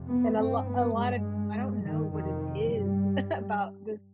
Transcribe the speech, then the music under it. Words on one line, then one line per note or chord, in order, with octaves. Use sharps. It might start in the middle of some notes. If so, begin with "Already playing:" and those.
And a lot a lot of, I don't know what it is about this
Already playing: F2 C3
B3
G2 C4
B3
G2 G#3
G2
D#3
F2 C3 D#3
G2 G3